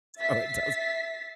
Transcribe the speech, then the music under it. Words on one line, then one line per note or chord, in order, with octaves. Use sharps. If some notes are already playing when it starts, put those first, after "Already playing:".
so it does.
E5 A6 B6 C7